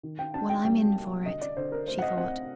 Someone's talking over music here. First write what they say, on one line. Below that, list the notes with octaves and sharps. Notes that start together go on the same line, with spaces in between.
"Well, I'm in for it," she thought.
D#3
G5
D4 A5
G5
G3 G5
A#3
D3 D#5
D5
D3 C5
A#4
A3 C5
F#5
D#5
C4 F#5